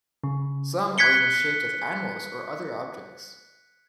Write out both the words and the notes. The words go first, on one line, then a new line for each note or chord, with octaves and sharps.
Some are even shaped as animals or other objects.
C#3
F#6 G#6 B6 C#7 G7